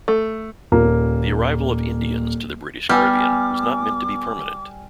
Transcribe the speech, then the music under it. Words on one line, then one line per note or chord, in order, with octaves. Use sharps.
The arrival of Indians to the British Caribbean was not meant to be permanent.
A3
D#1 A#3
G3 B3 G#5 D6 E6 F6